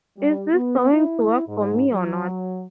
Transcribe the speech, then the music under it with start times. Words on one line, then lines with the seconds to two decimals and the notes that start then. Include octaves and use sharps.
Is this going to work for me or not?
0.18 G3
0.54 B3
0.92 E4
1.47 G#2
1.92 F#3